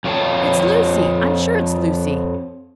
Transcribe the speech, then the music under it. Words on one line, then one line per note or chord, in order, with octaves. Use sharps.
It's Lucy--I'm sure it's Lucy!
F2 F4 C#5 F5 G5 A5